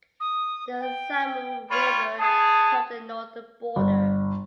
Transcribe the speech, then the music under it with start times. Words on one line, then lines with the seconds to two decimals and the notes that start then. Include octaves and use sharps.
The Samur river formed the northern border.
0.20 D#6
0.80 G5
1.70 G3 F4 C#5 B5
2.19 B3 G#4 A5
3.76 G1